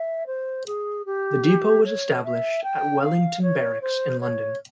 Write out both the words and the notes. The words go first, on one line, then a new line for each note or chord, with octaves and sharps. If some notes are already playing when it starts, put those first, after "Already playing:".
The depot was established at Wellington Barracks in London.
Already playing: E5
C5
G#4
G4
C#5
E5
G5
F5
C#5
C5
C#5